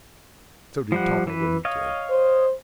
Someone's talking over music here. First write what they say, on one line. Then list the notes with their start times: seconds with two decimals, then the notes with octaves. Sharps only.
So did Topper when he came.
0.92 F3 G3 F#5
1.27 E3 B4
1.65 C#5 D#5 F5
2.10 C5